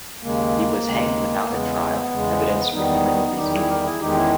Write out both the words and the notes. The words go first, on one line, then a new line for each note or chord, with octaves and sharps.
He was hanged without a trial, evidence or even a reasonable theory.
D#2 C#3 G#3 A#3
D#2 C#3 G#3
E2 C#3 G#3 B3
E2 C#3 G#3
E2 D#3 G3 B3 D#4
E2 D#3 G3 D#4 G4
E4 G#4
G4 A#4
E4 G#4
E2 D#3 G#3 D#4 G4
C#4 E4